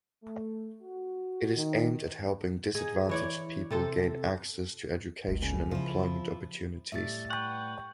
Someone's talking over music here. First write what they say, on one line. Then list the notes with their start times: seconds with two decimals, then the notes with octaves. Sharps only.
It is aimed at helping disadvantaged people gain access to education and employment opportunities.
0.23 A3
0.81 F#4
1.57 D#3
2.75 D#4 G#4
3.09 E3 C#5 D5
3.70 C3 A4 C5
5.28 F#1 C#2
5.42 C#3
5.71 C#3 F3 E4 F4
6.92 A2 G3 E5 A6
7.30 B4 F#5 G5 C#6